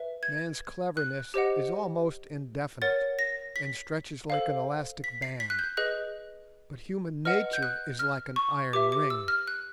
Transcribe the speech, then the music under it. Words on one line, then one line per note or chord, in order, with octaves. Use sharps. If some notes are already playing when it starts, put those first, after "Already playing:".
Man's cleverness is almost indefinite, and stretches like an elastic band, but human nature is like an iron ring.
Already playing: B4 E5
G#6
F#6
G4 C5 D#5 F#5
A#4 C#5 F#5 A6
A#6
B6
A4 C5 F5
B6
C7
B6
F#6
G6
G#4 B4 D#5 F#6
B4 D#5 F#5 F6
G6
F#6
F6
C#6
G4 B4 E5 D6
D6
E6
F6
F#6